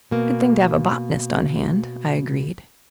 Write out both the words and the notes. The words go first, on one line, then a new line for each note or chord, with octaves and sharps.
"Good thing to have a botanist on hand," I agreed.
B2 A#3